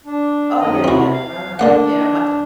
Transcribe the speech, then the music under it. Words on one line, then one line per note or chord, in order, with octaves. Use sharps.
Oh yeah, yeah, uh-huh. Yeah, my
D4
F#2 D#3 D#5
C3 C4 E4 F#4
F5
D3 A#3 D4 F#5